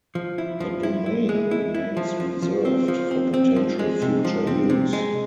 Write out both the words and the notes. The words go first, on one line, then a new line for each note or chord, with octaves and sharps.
The domain remains reserved for potential future use.
F3
E4
F3
E4
E4
G#3
E4
E4
F3
F3
F3
C4
F3
C4
C4
F3
G#3
C3
F3
C4
C3
G#3